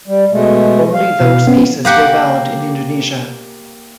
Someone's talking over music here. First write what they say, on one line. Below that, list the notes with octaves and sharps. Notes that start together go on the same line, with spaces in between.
Only those pieces were valid in Indonesia.
G3
B2 G#3 A3
F5
B2
B3 C#4
A#3 G4 F#5